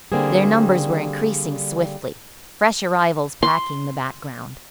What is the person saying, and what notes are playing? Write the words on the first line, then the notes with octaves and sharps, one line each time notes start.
Their numbers were increasing swiftly, fresh arrivals packing the background.
D3 G3 A#3 C4 F#4 G#4
C6